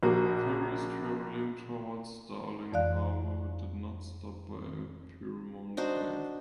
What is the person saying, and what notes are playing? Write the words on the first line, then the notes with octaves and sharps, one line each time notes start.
Ferries travelling towards Darling Harbour did not stop at Pyrmont Bay.
A#1 A#3 F#4
F2 E3 D5 F5 F#6
D4 D#4 F#4 C5